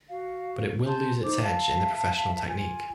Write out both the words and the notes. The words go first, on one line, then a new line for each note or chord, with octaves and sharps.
But it will lose it's edge in the professional technique.
F#4 F5
G#5 A5 C6 G6
D#4 C5 D6
E5 F5 A5
F4 G#5